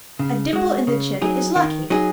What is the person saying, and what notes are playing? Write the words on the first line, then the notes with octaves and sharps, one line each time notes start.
A dimple in the chin is lucky.
C#3
G#3 F#4
C#3
F#3 D#4 G#4
D#3
F#3 D#4 G#4